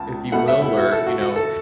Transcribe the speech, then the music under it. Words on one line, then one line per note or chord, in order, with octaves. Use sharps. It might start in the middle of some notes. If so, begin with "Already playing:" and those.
if you will, or, you know
Already playing: C#2 A5
B2 A3 F#5
E5
E4
F#4
A4
F#4
F#4
A4